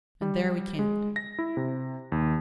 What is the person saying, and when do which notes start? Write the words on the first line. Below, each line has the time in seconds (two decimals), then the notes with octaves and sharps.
And there we camped.
0.22 G3
0.79 G#3
1.16 A#6
1.39 E4
1.57 C3
2.12 D#2